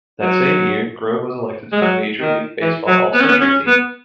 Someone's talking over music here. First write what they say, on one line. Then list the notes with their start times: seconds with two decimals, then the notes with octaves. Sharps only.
That same year, Grove was elected to the Major League Baseball All-Century Team.
0.22 F#3
1.72 G#3
1.82 F#3
2.22 D#3
2.61 E3
2.87 F#3
3.14 B3
3.21 C#4
3.29 B3
3.40 C#4
3.67 B3